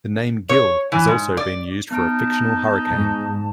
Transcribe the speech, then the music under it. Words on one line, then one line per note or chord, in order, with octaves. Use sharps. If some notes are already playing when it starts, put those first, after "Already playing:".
The name Gil has also been used for a fictional hurricane.
C#5
E3
G#2
D5
B3 D#4 A5 F6 D7
G#2